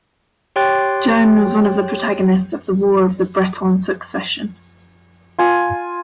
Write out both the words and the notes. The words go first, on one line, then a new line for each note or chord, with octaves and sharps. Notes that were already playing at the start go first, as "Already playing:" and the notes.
Joan was one of the protagonists of the War of the Breton Succession.
G4 C#5 G5 C6 F#6 A6
F4 G#5